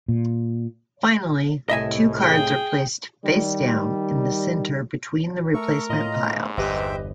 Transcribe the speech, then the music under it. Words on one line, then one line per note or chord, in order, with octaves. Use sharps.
Finally, two cards are placed face down in the center between the replacement piles.
A#2
C2 A2 D#5 E5 G#5
G#4 G5
D#3 G3
A3 A4 A#4 C#6
A2 F4 D#5 A#5
G#2
G1 E2 G4 B4 C5 D#5 E5 G5